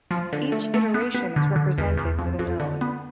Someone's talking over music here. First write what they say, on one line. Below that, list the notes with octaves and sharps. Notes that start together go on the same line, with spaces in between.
Each iteration is represented with a node.
F3
D3
A3
A3
B3
B3
D3
D3
E2
E2
F2
F2
D3
B3